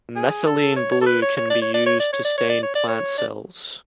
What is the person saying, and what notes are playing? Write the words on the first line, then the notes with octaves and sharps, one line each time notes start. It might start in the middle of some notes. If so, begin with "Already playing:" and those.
Methylene blue can be used to stain plant cells.
G#4
A4
C#5
C#5
A4
B4
C#5
C#5
D5
C#5
D5
C#5
D5
C#5
D5
C#5
D5
C#5
D5
C#5
D5